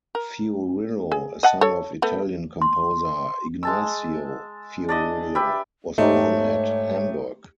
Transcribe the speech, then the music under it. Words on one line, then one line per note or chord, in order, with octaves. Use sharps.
Fiorillo, a son of Italian composer Ignazio Fiorillo, was born at Hamburg.
A#4
G#4
D#5 F#5 A5
A4 C#5
A3 B3
C6
G#3 A5 E6
D4 D5 D#5
G4 B4 E5
G#2 A3 D#4 G4 C#5